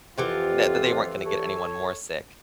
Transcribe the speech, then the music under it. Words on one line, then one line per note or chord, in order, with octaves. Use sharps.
th that they weren't gonna get anyone more sick.
F2 E3 F4 G4 F#5
A4 C#5